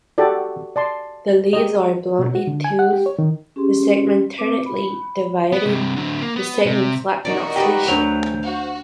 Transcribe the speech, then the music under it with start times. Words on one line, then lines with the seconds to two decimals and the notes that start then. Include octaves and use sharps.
The leaves are bluntly toothed, the segments ternately divided the segments flat, not fleshy.
0.18 F#4 G4 A4 D5
0.76 D5 A5 C6
1.53 G4 G#4 D#5
2.19 B2
2.35 F#4
2.47 D3
2.64 G#5
2.79 F#5
2.93 G4
3.06 C#5
3.19 D#3
3.56 C#4 G4 G#4 C6
4.38 C4 B4 D6
4.66 B5
5.52 B3
5.66 G2 C3
5.96 D3 F#3
6.22 A#3
6.36 B3
6.66 C3
7.25 C#4 D#4 F#4 A#4 D5
7.56 G4 B4 D5 D#5 G5
7.88 D2 F#3 D4 C5 F7
8.43 F#4 F5